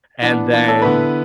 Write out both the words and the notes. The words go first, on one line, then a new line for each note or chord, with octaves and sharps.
and then
E3 B3 D4 F#5
E3 B3 D4
A4
D3 B3 E4 B4